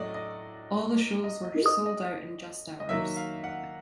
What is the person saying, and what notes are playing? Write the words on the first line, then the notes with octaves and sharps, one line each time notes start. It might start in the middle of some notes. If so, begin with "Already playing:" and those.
All the shows were sold out in just hours.
Already playing: A2 F#3 A3 D5 D#5
D#5
D#5
D#5
D5
D#5
D#5
D#3 F#3 A#3 E5
F5
F#5